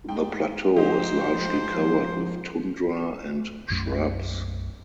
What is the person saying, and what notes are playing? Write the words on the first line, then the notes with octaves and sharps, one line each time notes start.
The plateau is largely covered with tundra and shrubs.
G#2 G5
G#2 F3 C4 D#4 G4 C5
B1 F#2 A3